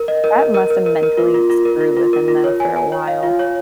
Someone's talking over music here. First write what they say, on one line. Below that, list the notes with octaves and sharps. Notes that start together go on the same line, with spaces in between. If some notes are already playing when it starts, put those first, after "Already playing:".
That must have mentally screwed with him, though, for a while.
Already playing: A#4
D#5
A#4
A#4
A#4
A#4
A#4
A#4
F4
F4
F4
A#4
F4
F4
A#4
F4
C#5
G#5
G#5
C#5
F5
F4
C#5